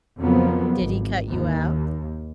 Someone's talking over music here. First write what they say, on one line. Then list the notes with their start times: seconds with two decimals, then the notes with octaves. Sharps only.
'Did he cut you out?'
0.19 F2 C#3 F3 F#3 A#3 B3
0.77 G#1
1.29 D#2